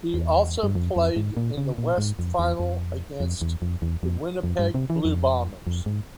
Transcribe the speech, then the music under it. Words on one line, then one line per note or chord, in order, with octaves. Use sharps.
He also played in the West Final against the Winnipeg Blue Bombers.
E2
G2
F2
F2
G#2
A#2
C#3
A#2
G#2
F2
E2
F2
F2
E2
F2
E2
F2
F2
G2
C3
E3
F2
F2
G#2